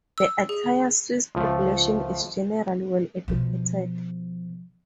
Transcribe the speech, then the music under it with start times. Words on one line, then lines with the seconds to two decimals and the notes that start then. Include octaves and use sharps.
The entire Swiss population is generally well educated.
0.18 E6
0.49 G#4
1.35 C#2 F3 A3
3.28 B2 F3